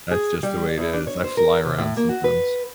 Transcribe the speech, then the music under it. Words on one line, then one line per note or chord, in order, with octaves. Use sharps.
that's just the way it is, I fly around sometimes.
G#4
G3
E2
D4
C#5
C5
A#4
C3
A2
A#3
F#4
B4